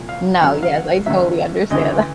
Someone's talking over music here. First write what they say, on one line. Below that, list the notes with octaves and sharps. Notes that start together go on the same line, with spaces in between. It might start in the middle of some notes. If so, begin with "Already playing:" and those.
No, yes, I totally understand that.
Already playing: C2 A#2 F3
F5
D#2 C#3 F#3 F#5
F5
F#5
D#2 C#3 F#3 E5
D2 C#3 E3 D#5